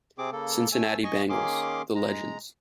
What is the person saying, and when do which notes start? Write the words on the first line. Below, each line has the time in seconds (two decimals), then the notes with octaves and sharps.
"Cincinnati Bengals, The Legends".
0.18 C3 C4 G#4 D6
0.32 C#3 A#3 A4
0.72 A3 G#5 E6
1.04 D#5 G#5 C#6
1.30 D#3 A#3 C#4 G#4 C6 D6
1.95 G#3 A#5